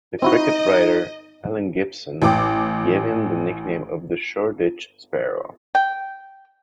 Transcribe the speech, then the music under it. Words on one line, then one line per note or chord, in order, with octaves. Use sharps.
The cricket writer, Alan Gibson, gave him the nickname of the "Shoreditch sparrow".
C4 D#4 E4 F#4 D#5
A1 G5 D6
G5